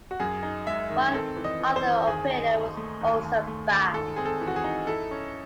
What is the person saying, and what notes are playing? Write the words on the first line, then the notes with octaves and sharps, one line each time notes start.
One other operator was also banned.
F#4
F#2 G#4
D#4
G#3 E5
D#3
C4 A4
E3
D#5
E3
C5
E3
D#2 G#4
D#4
D#2
A3
D#2
D#2
A3
D#2
G#2 A4
C4 G#4
A4
E3
F#4
G#4
D#4
E4 A4
C#4